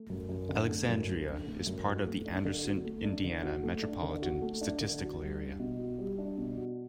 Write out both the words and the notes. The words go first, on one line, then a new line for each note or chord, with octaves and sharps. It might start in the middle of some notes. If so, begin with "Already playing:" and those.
Alexandria is part of the Anderson, Indiana Metropolitan Statistical Area.
Already playing: A3
F#2
F#2
D3
A3
F#2
F#2
D3
A3
F#2
F#4
A3
D4
D3
F#4
A3
D4
D3
F#4
A3
D4
D3
F#4
A3
D4
D3
F#4
G3
D4
B2
F#4
G3
D4
B2
F#4